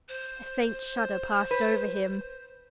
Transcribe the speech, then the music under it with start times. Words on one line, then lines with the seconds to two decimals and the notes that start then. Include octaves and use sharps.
A faint shudder passed over him.
0.08 C5
1.51 B4